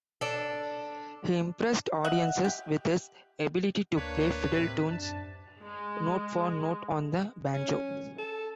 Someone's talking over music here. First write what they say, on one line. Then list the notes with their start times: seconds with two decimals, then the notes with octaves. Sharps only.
He impressed audiences with his ability to play fiddle tunes note-for-note on the banjo.
0.21 D4 A4
2.04 D#5 E5 F#5
2.45 G4
3.97 D2 A#3 D4 B4 C#5
4.53 A2 C3
4.90 F#2 D4 A5
5.60 G#3
7.54 C#4
8.18 A4